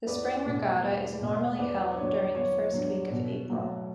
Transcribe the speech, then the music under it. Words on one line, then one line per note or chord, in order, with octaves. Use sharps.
The Spring Regatta is normally held during the first week of April.
E2 B4 D5
B2 A3
E2
B2 A3
E2 B4 D5
D5
D3 F#3 C#5
E2 C#5
D3 F#3
B2
F#3 A3